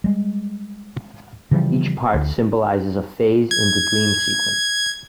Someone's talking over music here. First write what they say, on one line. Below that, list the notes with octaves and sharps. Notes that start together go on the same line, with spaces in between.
Each part symbolizes a phase in the dream sequence.
G3 G#3
C#3 E3 F3 G3
D2
G#6